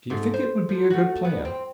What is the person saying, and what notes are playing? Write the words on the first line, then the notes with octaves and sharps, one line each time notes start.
"Do you think it would be a good plan?"
G#2 A3
C5
F3
A3 F#4
B3
C4